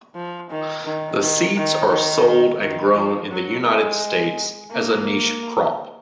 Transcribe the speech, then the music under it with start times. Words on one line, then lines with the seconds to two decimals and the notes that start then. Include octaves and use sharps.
The seeds are sold and grown in the United States as a niche crop.
0.15 F3
0.50 D#3
0.85 D#3
1.20 D#3
1.56 D#3
1.90 D#3
2.61 D#3
2.95 F3
3.31 F#3
3.66 G#3
4.71 A#3